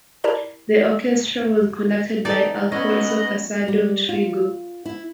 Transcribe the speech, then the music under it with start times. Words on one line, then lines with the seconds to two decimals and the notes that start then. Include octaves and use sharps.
The orchestra was conducted by Alfonso Casado Trigo.
0.24 E4 G4 A#4 D5 A5 A#5
2.25 E3 D#4 G#4 A4 D5 A5
2.72 B3 C#4 E4 D#5 F#6
3.68 G3
4.09 F4
4.85 E4